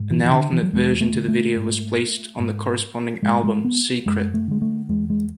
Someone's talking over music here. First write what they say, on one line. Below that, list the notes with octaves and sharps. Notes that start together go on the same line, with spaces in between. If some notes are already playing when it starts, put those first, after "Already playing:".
An alternate version to the video was placed on the corresponding album, secret.
Already playing: G#2
E3
E3
D3
E3
F#3
E2 G#3
A3
D3
A3
G#2
G#2
G#2 G#3
G#3
B3
F#2 G#3
A3
D3 G#3
A3
E2 G#3
G#3